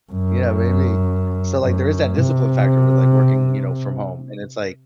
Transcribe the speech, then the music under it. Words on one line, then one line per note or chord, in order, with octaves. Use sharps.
Yeah, maybe. So, like, there is that discipline factor with, like, working, you know, from home, and it's, like
F#2
F#2
C3